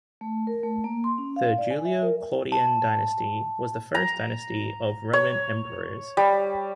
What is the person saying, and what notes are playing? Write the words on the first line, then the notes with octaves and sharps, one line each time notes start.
The Julio-Claudian dynasty was the first dynasty of Roman emperors.
A3
A#4
A3
A#3
C6
C#4
F5
D5
G#5
E5
A#4
A5
A#5
C#5
G3